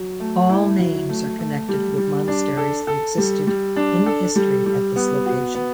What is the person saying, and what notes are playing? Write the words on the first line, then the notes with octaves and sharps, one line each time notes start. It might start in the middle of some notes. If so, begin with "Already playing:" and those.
All names are connected with monasteries that existed in history at this location.
Already playing: F#3
A3
E4
F#3
A3
A3
G3
G3
D4
A4
A4
G3
G3
D4
A4
G3
G3
B3
F#4
B3